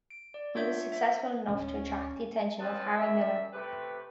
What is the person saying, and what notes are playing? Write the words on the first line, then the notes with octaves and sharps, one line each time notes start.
He was successful enough to attract the attention of Harry Miller.
D7
D5
B3 D4 F4 C#5 E5 G6
C5 E5
D1 C#4
E3 C4 C#4 B4 D#5 A5
F#2 E5
C3 A3 G4 B4